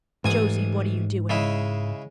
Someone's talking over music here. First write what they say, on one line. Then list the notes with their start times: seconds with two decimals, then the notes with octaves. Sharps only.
"Josie, what are you doing?"
0.25 A1 G#2 G#5 D#6
1.29 C#3 G#3 E4